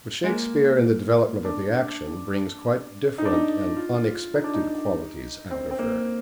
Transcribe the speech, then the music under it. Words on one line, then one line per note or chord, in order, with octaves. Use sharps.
But Shakespeare, in the development of the action, brings quite different and unexpected qualities out of her.
G#3
A#3
D4
D#4
D4
D#4
F4
F4
D#4
D4
D#4
C4
C4
A#3